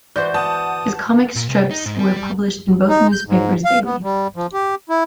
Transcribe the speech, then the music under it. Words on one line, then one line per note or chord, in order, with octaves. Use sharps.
His comic strips were published in both newspapers daily.
E3 F#4 B4 C5 D5 G6
B3 F#5 A5 D#6
A#2
C2
D#4
G#2
G3
G3
D#4
G6
G#2
F5
B3
G3
F3
G4
E4